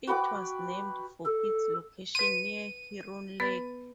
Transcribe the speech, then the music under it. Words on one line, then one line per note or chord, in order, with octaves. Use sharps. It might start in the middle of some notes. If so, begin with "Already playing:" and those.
It was named for its location near Heron Lake.
F#4 B4 G5 D6
A4
B4 C6 D#7
B3 B4 A6